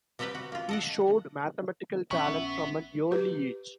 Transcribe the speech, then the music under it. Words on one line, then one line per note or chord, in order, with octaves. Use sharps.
He showed mathematical talent from an early age.
C3 G3 C4 G4 B4 G5
F#4
A#3 F4
A4 D#5 F#5
A#1 B3 C#4 E5 C#6
G4 B4